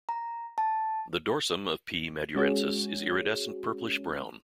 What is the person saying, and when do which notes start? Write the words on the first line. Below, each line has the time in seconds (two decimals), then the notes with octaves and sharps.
The dorsum of "P. madurensis" is iridescent purplish brown.
0.09 A#5
0.58 A5
2.35 G#3 C#4 F#4 G#4 C#5